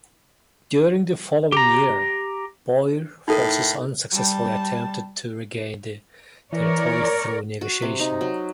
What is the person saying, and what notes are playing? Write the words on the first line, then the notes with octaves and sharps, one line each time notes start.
During the following year, Boer forces unsuccessfully attempted to regain the territory through negotiation.
G4 A#5
A2 D#4 A4 A#4
G3 A5
E3 A#4 C#5 D5
F#4
C3
D#4
F#3